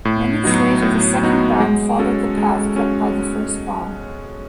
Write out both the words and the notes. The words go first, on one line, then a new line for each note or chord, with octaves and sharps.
Minutes later the second bomb followed the path cut by the first bomb.
A2
F#3 B3 D#4 F#4
A2
F#3 B3 D#4 F#4
G#3
C#4 F#4 A4
G#3
C#4 F#4 A4